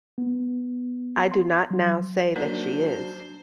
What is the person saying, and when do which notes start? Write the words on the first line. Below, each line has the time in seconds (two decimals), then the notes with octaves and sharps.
I do not now say that she is.
0.18 B3
1.32 C6
1.71 F#3
2.36 F#3 A#3 D4 D#4 A#4 C5